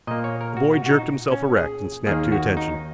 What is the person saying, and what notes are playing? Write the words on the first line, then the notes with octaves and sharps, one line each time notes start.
The boy jerked himself erect and snapped to attention.
A#2 A#3 D#5
C#5
A#4
F#4
F#4
F#4
D#4
C#4
G#4
D#2 D#3 A#3 G#4
F#4
D#4